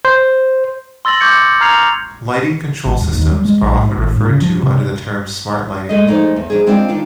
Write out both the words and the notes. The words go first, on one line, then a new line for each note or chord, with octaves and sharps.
Lighting control systems are often referred to under the term Smart Lighting.
C5
C6 E6 A6 A#6 F#7
C#6 D6 G6 G#6 C#7
G6
A#5 F6 G#6 C7 F7
G#1
D#1
D#2
G3
G#3
A#1
G#2
G#1
G#2
C#3
F3
C3
G#3 A3 D#5
F3 G#3 A3 D#4 D5
E2
F3 D4 D#4 G#4
G#3 C4 D4 F4 D5 F5
D#3 D4 F4